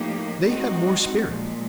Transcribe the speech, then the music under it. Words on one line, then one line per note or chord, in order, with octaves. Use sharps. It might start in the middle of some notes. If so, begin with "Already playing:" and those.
They have more spirit.
Already playing: A2 F3 A#3 D#4 G4
G#3 C4 D#4 F#4
A#2 F3 G#3